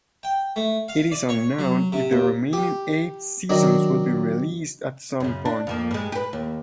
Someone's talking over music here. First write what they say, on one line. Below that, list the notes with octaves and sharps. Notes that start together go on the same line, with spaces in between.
It is unknown if the remaining eight seasons will be released at some point.
G5
A3
F5
D5
C#5
F#3
C3
D#2
G4
D#3 F#3 D4
F#2 C#3
D4
F2 F3 A#3
G2 G#3
G4 B4
D#2